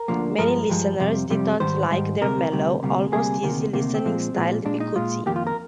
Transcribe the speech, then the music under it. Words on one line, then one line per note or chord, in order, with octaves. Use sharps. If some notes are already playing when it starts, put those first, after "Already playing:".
Many listeners did not like their mellow, almost easy listening-styled bikutsi.
Already playing: A#4
D2 D3 F3 A#3
G2 F3 G#3 A#4
G2 F3 G#3
F2 C3 G3
F2 C3 G3
G#2 D#3 G3 C5
G#2 D#3 G3
D2 C3 G3 A#4
D2 C3 G3
D2 C3 G3 A#3
D2 C3 G3 A#3 G#4
D2 C3 D#3 A#3
D2 C3 D#3 A#3
C4
A#2 F3 G#3
A#2 F3 G#3
A#2 G#3 D4
D#4
A#2 G#3 F4
F2 D#3 A#3 G4
F4
A#4